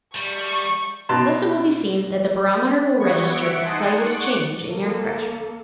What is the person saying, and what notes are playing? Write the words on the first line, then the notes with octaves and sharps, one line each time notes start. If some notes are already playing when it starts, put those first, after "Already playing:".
Thus it will be seen that the barometer will register the slightest change in air pressure.
G3 C#6
B2 A5 C6
E3 G3 B3 F#4 C#6 G#6
E5 F#5 C#7 D7
D#4 D#5 F#5 G#5 A5 C6
F#5 C#6 D6 F#6
A#3 A4